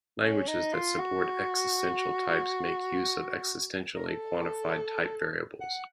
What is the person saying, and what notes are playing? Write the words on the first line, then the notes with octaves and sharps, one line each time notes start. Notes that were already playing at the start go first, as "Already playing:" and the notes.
Languages that support existential types make use of existentially quantified type variables.
C#4
D#4
F4
F#4
A#4
A4
F#5